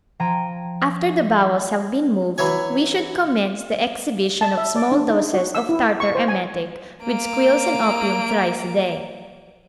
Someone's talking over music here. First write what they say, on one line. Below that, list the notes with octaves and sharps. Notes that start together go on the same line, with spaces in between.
After the bowels have been moved we should commence the exhibition of small doses of tartar emetic with squills and opium thrice a day.
F3 G5 A#5 C6 G#6 D#7
E3 F#3 E4 C#5 G#5
A5
E5
D5
D4
D#4
F#4
E6
E4
C#6
C5
G#5
A#3 D7